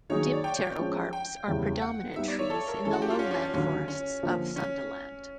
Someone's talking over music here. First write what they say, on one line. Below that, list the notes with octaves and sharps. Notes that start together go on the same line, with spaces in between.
Dipterocarps are predominant trees in the lowland forests of Sundaland.
D#3 F#3 A#3 D#4 G#4 C#5
D5
G5
F3 G#3 C#4
G5
E2 C#3 E3 G3
F#5
G3 B3 D#4 E5
D5
C#5
A4
A#4
E3 G#3 C#4 A4
F#4
G4
F4
C#4
C#4
C#4
D#2 D3 F#3 C#4
C#4
D3 F3 A#3
C#4